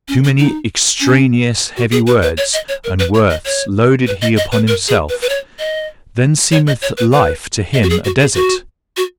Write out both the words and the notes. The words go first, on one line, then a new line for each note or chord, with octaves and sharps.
Too many EXTRANEOUS heavy words and worths loadeth he upon himself--then seemeth life to him a desert!
C#4
C#4
D#4
C#4
F#4
G#4
B4
B4
C#5
D#5
C#5
A#4
B4
C#5
D#5
C#5
B4
D#5
D#5
B4
A#4
G#4
B4
B4
C#5
D#5
C#5
D#5
C#5
B4
B4
D#5
F#4
G#4
F#4
G#4
F#4
F#4